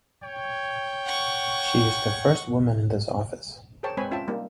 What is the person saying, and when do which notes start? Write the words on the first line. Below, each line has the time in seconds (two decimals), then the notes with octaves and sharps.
She is the first woman in this office.
0.22 C#5 G5
1.06 F#5 C#6
3.83 G#4 A#4 C5 C#5 G5 A5
3.97 G#3 C4 B4 C#5 G#5 B5
4.11 C#4 F4 E5 G5 A5
4.28 G3 A#3 D#4